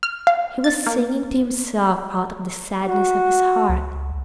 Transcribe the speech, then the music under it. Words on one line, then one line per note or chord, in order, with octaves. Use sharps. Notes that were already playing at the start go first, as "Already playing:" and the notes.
He was singing to himself out of the sadness of his heart.
F6
F5
A6
A#3
F#4
C#2